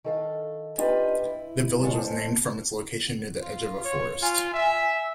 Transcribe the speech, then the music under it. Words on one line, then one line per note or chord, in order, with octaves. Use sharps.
The village was named from its location near the edge of a forest.
D#3 A4 F5
D4 D#4 F4 G4 B4
E4
F#2 D3 G#3 F4 C#5
F2 E3 C5 A5
F4
C#5
F4 G#5
E5